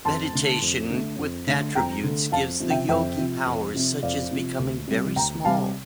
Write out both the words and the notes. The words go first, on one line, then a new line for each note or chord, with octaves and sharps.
Meditation with attributes gives the yogi powers such as becoming very small.
F2 A5 C6
D3 A3
F2
D3 A3
F2
D3 A3
F2 G5 A#5
D3 A3
F2 F5 A5
C3 F3
E5 G5
F2 E5 G5
C3 F3
F2
C3 F3
F2 D5 F5
C3 F3
D2
C3 G3
D2 G5 A#5
C3 G3 F5 A5